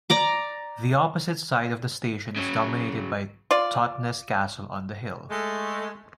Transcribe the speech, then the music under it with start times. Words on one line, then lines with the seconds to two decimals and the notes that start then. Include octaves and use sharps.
The opposite side of the station is dominated by Totnes Castle, on the hill.
0.10 D5 A#5 D6
2.36 C#3 F#3
3.51 F4 D5
5.30 G#3 A3